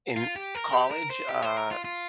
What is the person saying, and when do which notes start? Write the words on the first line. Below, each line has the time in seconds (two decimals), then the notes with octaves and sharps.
in college, uh,
0.16 F4
0.36 G4
0.55 A#4
0.73 G4
0.91 A#4
1.10 C5
1.29 G4
1.42 C5
1.57 A#4
1.71 F4
1.85 F4